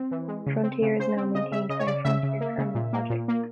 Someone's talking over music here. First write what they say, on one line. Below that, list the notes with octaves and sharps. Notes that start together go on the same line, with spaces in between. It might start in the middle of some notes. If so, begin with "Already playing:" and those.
Frontier is now maintained by the Frontier Kernel Project.
Already playing: C4
E3
G#3
C#3
C4
C#3
C#3 C5
C4
C#3 D#5
C#3 E5
C#3 D#5
C#5
C#3 D5
C#3 E5
C#3
A#3
C#3
A#2
A#3
A#2
A#3